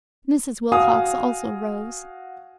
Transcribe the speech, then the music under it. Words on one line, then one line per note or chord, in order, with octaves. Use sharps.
Mrs. Wilcox also rose.
F#4 F5 G#5 D#6